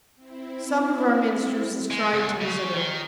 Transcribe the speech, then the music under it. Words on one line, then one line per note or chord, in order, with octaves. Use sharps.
Some of our ministers has tried to visit her.
C4 E4
G#3
C#2
C#3
D#3